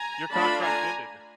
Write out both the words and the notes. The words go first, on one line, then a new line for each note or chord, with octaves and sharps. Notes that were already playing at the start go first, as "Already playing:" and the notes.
your contract's ended.
Already playing: G#5 A#5
A3 D4 F4 A5 B5
G#5 A#5